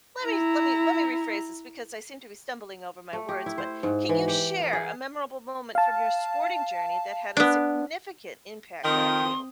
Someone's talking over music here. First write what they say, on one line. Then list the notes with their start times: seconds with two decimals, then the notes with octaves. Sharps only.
lemme lemme lemme rephrase this because I seem to be stumbling over my words, but can you share a memorable moment from your sporting journey that had a significant impact on you?
0.21 E4 A#5
3.13 A3
3.29 G4
3.46 E4
3.58 C5
3.83 G#2
4.09 E3
4.28 G4
4.60 A#4
4.73 G#4
5.75 F5 A5
7.37 B3 D4
8.84 F2 D#3 C4 G5 C6 D#6